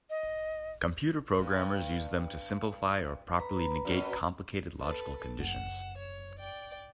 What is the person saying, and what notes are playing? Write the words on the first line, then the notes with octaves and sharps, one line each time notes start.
Computer programmers use them to simplify or properly negate complicated logical conditions.
D#5
G2
B4 A#5 B5
F#2 B2
A4 B4
F#1 F#5 E7
C#5
D5 G5